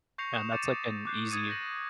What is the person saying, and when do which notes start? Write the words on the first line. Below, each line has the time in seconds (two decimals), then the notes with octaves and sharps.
And that's like an easy
0.18 C#6 G6 A#6 C7 C#7 F7
0.33 D#6 G6 E7 F7
0.52 D6 G6 A6 C#7 D#7 E7
1.05 D6 F#6 G6 C7
1.31 D#6 G#6 A6 C#7 D#7
1.49 G6 A#6 F#7